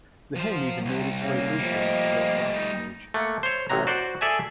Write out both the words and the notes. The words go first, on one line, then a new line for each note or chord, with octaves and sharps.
The hymn even made its way briefly onto the operatic stage.
F3 F#3 C5
C2
C#3 A#3
F3 G3 A3 D#5
D#4
A3 A#3 F#5
C5 C#5
A1 C3 F#3 A#5
F#4 C5 D5
G#4 A4 D5 E5 G#5 A5